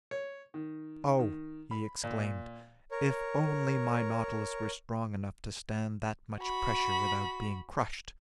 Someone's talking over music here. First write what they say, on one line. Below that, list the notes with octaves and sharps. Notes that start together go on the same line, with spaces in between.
"Oh," he exclaimed, "if only my Nautilus were strong enough to stand that much pressure without being crushed!"
C#5
D#3
D#3
B5
A#2
A#4 C#5
F#4 B5